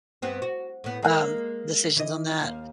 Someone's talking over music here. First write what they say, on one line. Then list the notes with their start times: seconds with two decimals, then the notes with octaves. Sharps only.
um, decisions on that,
0.22 G2 B3 C4
0.42 F#4
0.84 A2 B3
1.03 G#3 A#3
1.97 E3 D#5
2.41 D#2 F5